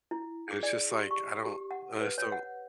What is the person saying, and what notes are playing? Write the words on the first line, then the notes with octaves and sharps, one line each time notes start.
and it's just like, I don't I just don't
E4
G#4
D5
G4
C#6
G4
F#5
B4
C#5
F#5